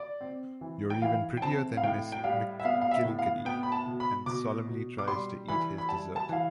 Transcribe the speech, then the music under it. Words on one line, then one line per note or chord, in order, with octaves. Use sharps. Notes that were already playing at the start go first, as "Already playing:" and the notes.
You're even prettier than Miss McGillicuddy, and solemnly tries to eat his dessert.
Already playing: D5
C4
E3
G5
E3 F5
G5
C4 A5
F5
A2 G5
G5
G3 F5
E5
B3 F5
F5
E5
A2
F5
B3 G5
B5
A5
B2
B5
B2 D6
B2
D6
G3 C6
E3 B5
B5
G3 A5
A5
E3 F5